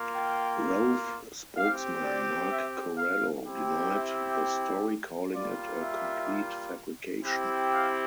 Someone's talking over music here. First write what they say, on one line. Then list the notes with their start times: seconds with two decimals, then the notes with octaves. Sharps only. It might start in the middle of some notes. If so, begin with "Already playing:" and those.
Rove spokesman Mark Corallo denied the story, calling it "a complete fabrication".
Already playing: A#3 F4
0.16 G5
1.57 C4 G4 F5
2.05 D5
2.51 E5
2.98 F5
3.46 C4 E4 G4
3.93 E5
5.34 G3 A#3 F4 D5
5.82 E5
7.23 C4 E4 G4
7.71 F5